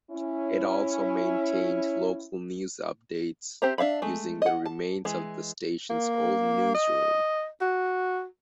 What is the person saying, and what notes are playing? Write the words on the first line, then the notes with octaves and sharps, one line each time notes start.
It also maintained local news updates, using the remains of the station's old newsroom.
C#4 E4
C4 G4 C5 E5 A#5
D4 E5 F5 B5
G#3 A3
D#5 F#5
A5
E3 G#3
A#3
D#5
F#4